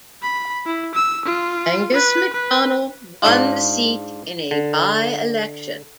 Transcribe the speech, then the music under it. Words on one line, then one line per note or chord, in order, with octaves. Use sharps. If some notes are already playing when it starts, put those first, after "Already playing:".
Angus Macdonell won the seat in a by-election.
B5
E4
E6
F4
B4
B4
G#2 D4 F4
D3